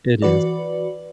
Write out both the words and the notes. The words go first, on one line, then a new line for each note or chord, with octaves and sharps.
It is.
E3 F#4 B4 D5